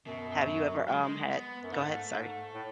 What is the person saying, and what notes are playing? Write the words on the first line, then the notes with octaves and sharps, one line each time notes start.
Have you ever, um, had Go ahead, sorry.
F#2 B2
F#2
F#3
G#3
F#3
G#3
B3
F#2
G#2 A3
G#2
A2